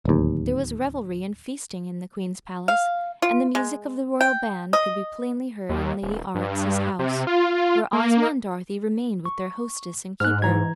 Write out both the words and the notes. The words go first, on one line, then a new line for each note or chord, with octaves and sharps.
There was revelry and feasting in the Queen's palace, and the music of the royal band could be plainly heard in Lady Aurex's house, where Ozma and Dorothy remained with their hostess and keeper.
D1 D#2
F5
F4
G#3
G5
D#5
D#2
D#1
G2
C3
F4
A#3
C#6
G#2 F6 F#6
E3 A#5 G#6